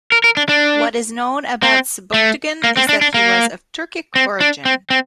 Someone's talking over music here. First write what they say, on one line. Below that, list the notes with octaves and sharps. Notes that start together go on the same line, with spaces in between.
What is known about Sebuktigin is that he was of Turkic origin.
A#4
A#4
D4
D4
C4
A3
A#3
C4
D4
D4
A#3
C4
D4
C4
C4